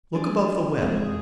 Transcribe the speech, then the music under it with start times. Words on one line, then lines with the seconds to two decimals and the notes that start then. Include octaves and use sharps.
Look above the web.
0.15 D4 G#4
0.82 F2 G#3 C4 G#4